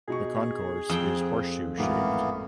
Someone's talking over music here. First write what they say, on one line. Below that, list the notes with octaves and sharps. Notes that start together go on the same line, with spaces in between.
The concourse is horseshoe-shaped.
B2 D#4 G#4 C#6
F2 G5 D#6
G#1 A2 E3 A#3 B3